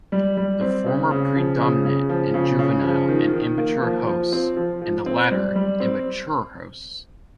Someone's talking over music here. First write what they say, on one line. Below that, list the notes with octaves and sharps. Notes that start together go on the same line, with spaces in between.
The former predominate in juvenile and immature hosts, and the latter in mature hosts.
G3
G3
C4
C#3
C#3
F3
C#3
C#3
F3
C#3
C#3
F3
D#3
D#3
A#3
F3
F3
C4
F3
F3
C4
G3
G3
C4